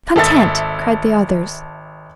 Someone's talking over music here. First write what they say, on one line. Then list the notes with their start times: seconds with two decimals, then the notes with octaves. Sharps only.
"Content," cried the others.
0.16 G#1 A4 E5 A6